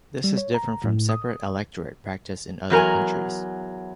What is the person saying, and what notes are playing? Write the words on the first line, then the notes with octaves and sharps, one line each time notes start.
This is different from separate electorate practiced in other countries.
G3
C#5
A#5
A2
D#6
E2 F#3 A#4 G#5